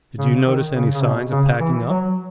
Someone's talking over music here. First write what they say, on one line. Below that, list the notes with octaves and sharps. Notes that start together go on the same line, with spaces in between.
'Did you notice any signs of packing up?'
C#3
D#3
C#3
C#3
B2
C#3
E3
F#3